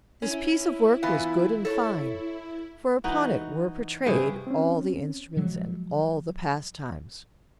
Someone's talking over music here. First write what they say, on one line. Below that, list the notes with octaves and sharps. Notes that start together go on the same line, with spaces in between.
This piece of work was good and fine; for upon it were portrayed all the instruments and all the pastimes.
C#4 E4
E3 B3 F4
A4 C#5
E3 D#4 F#4
G2 C3 G#4
C4 C#4
F3 F#3 G#3